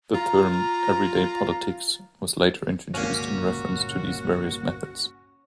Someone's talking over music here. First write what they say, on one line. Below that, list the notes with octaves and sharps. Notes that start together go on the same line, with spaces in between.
The term "everyday politics" was later introduced in reference to these various methods.
F4 A#5
G1 C#2 A#2 A#3 C#4 F#4